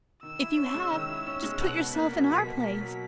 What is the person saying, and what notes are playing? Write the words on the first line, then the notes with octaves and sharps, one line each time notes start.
If you have, just put yourself in our place.
D#3 E6
E4
C#4
G#3
D#3
E4
C#4
G#3
B2 F#6
B2
A#3 B6
F#3
B2
B2
A#3
F#3